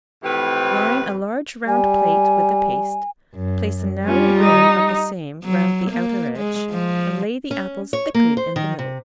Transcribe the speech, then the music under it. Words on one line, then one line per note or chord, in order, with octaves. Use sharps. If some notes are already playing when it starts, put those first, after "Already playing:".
Line a large round plate with the paste, place a narrow rim of the same round the outer edge, and lay the apples thickly in the middle.
F2 A2 E3 C4 G4 B4
G3 G#5
F#2
G3 C#4 F4
D#4
F#3
A#3
G#3
F3
C#4
C#5
A#3
C5
D#3
C3